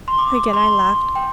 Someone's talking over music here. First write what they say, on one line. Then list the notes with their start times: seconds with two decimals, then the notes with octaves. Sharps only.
Again I laughed.
0.08 C6
0.18 D6
0.53 C6
1.15 G5